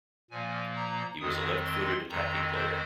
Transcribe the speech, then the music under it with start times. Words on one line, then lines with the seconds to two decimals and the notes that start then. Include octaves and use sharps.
He was a left-footed attacking player.
0.30 A#2 F3 A#3 G#5
0.76 A#5
1.20 F2 D#3 G#3 C4 D#6
1.65 C6
2.09 F2 D#3 G#3 C4 A#5
2.54 C5